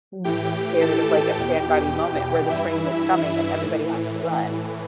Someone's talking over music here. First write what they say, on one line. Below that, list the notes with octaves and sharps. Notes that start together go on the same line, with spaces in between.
b scared of, like, a stand-by-me moment where the train is coming and everybody has to run?
A2 E3 G4 G5
A4 A5
G4 G5
E2 B2
G2 E3 E4 E5
A2 E3